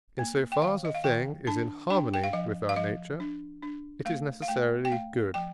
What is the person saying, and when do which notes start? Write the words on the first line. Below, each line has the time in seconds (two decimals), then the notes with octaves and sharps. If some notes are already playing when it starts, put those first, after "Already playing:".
In so far as a thing is in harmony with our nature, it is necessarily good.
0.19 A#3
0.52 G5
0.61 D#3 F5
0.85 D#5
0.95 F5
1.04 D#3 G5
1.47 D4 A5
1.90 D4 G5
2.14 G5
2.24 F5
2.33 F3 D#5
2.69 F5
2.76 F3 D#5
3.20 D4
3.62 D4
4.05 A3 F5
4.42 F5
4.48 A3 G5
4.85 G5
4.92 A3 F5
5.34 F3 G5